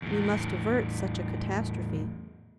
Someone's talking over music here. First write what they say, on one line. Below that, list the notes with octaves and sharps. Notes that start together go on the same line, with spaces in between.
We must avert such a catastrophe.
E2 A2